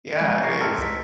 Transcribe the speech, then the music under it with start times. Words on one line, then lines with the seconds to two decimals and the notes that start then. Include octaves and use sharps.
Yeah, it is.
0.21 F3 G#3
0.42 A#5 C#6 D6 A#6 C7
0.61 G5 A5 A#5 C6 E6 F6
0.78 C#2 D#5 B6